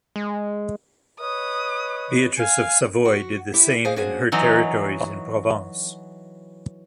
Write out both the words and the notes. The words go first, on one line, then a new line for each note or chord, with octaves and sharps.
Beatrice of Savoy did the same in her territories in Provence.
G#3
B4 C#5 D#5 D#6
F5 G#5
F#4
E4 G4 E5
G#4 C5 D#5 F5 G#5
A#3 C#4 D4 F#4 G#4 C5
E3 F#3 D#4 E5